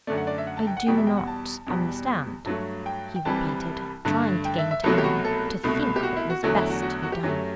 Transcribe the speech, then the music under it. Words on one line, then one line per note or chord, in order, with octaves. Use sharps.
"I do not understand," he repeated, trying to gain time, to think what was best to be done.
F#2 D3 A3 D5
F#5
D5
E5
F#5
A5
G5
F#5
E2 B2 G3 G5
E5
G5
F#5
A5
E2 B2 G3
G2 F#3 A3
G5
G5
C2 C3 E3 G3 A5
G2 D3 A3
G5
E5
E5
C2 B2 F#3 A3 A4
G4
F#4
A4
C2 B2 A3
G4
F#4
E4
F#4
E2 D3 F#3 A3
E4
F#4
F#4
F#4
G4
F#2 F#3 A3